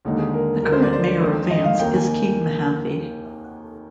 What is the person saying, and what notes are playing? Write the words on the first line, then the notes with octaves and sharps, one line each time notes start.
The current mayor of Vance is Keith Mahaffey.
D#2 D3 G#3 D#4
G#4
A#4
D2 D3 G#3 A#4
C5
D5
C5
F2 D#3 G#3 C4
D#5
F5
D#2 D#3 A#3 D#4 A#4 G5
G#5